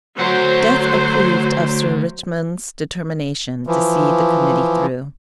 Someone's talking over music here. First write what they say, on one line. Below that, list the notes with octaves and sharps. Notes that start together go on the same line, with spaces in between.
Death approved of Sir Richmond's determination to see the Committee through.
D2 F#3 C5 F#5
E3 F3